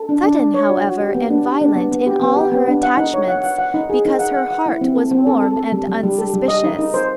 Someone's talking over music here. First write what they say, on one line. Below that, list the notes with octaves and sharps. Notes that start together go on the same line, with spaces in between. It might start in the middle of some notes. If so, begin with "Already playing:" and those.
Sudden, however, and violent in all her attachments, because her heart was warm and unsuspicious.
Already playing: A4
D4
D4
D4
C#5
F#4
F#4
G4
B3
D4
G4
D4
B3
B3
G4
B3
G4
B3
D4
F#5
D#4
C#5
F#5
F#5
F#5
D#4
G#4
D#4
F#5
F#5
F#5
E4
C4
A4
C4
A4
A4
A4
G3
G3
G3
A4
G3
D#5
D#4
D#4
C5